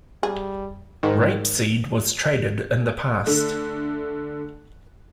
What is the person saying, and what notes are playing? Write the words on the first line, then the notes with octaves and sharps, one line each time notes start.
Rapeseed was traded in the past.
G3 G#4
G#2 D#3
D3 A3